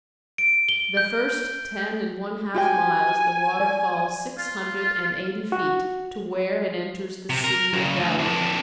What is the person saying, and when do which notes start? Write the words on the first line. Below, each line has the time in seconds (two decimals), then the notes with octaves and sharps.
The first ten and one-half miles the water falls six hundred and eighty feet to where it enters the Sea of Galilee.
0.38 D7
0.69 G7
0.97 G6
2.54 F#4 G4 G5 G#5
3.60 D5
4.39 F4
5.52 F#4
7.30 C3
7.44 A#4
7.73 F#2 C#3
7.98 D2
8.19 F2 D4